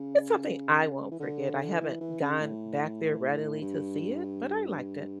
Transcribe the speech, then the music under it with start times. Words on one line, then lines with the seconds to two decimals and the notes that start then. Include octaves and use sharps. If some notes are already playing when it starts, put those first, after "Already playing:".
it's something I won't forget, I haven't gone back there readily to see it, but I liked it.
Already playing: C#3
1.11 E3
1.20 D3
1.81 E3
2.01 E3
2.21 C#3
2.40 A2
3.61 G2